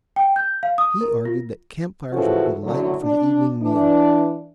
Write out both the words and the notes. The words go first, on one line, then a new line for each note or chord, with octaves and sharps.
He argued that camp-fires would be lighted for the evening meal.
G5
G6
F5
D#6
A#4
F4
C#3 E3 F3 C#4 F#4 A4
F#2 A2 D3 F#3
D4
E3 D4